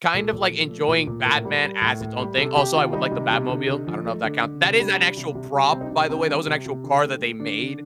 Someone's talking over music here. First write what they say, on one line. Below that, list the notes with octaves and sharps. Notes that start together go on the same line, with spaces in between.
kind of, like, enjoying Batman as its own thing. Also, I would like the Batmobile. I don't know if that count That is an actual prop, by the way. That was an actual car that they made,
A#2 A4
A#2
F3
A3
A#2
A#2
A2 A#4
G3
G3
A2
A2
G3
C3 A4
C3 G4
D#3 F4
G3 D#4
C3
C3
D3
D3
F3
A3
D3
D3
C3 D4
G3
G3
C3
C3
G3
C3 C4
D#4
C3 D4
D#4
D#3 C4
D4
G3 C4
C3
C3
D3
A3
A3
D3 D4
D3